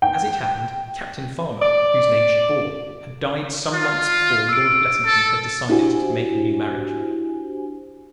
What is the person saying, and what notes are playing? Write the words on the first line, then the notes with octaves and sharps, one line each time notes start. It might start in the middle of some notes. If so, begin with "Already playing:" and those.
As it happened, Captain Farmer, whose name she bore, had died some months before Lord Blessington had decided to make a new marriage.
G5
D5
F4
E6 D7
A4
D4 E4 F#4 G4 C5 G#5